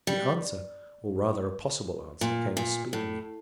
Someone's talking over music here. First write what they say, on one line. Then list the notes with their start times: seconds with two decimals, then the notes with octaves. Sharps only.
The answer, or rather a possible answer, came speedily.
0.07 G3
2.21 A#2
2.57 A#2
2.93 A2